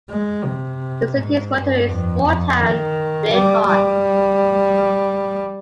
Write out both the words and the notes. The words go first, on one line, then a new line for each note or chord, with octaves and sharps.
The city's motto is Small town; Big heart.
G#3
C3
G#2
G2
F2
F2
D#3
G3
G3